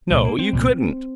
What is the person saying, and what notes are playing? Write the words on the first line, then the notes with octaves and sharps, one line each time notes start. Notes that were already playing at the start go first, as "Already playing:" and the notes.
"No, you couldn't."
C2 A#2 G3
A#3
C4
C2 A#2